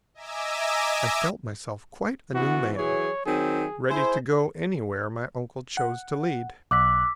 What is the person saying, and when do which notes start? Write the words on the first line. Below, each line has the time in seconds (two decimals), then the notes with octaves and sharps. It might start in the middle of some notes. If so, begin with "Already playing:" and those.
I felt myself quite a new man, ready to go anywhere my uncle chose to lead.
0.14 D#5 E5 G#5 A#5 D6 E6
2.35 E3 B3 F#4
2.77 E3 F#3 G#4 C#5
3.26 D#3 F#3 C4 G#4
3.90 E4 G#4 C5
5.77 F#5
6.71 B1 D6 E6 F#6 B6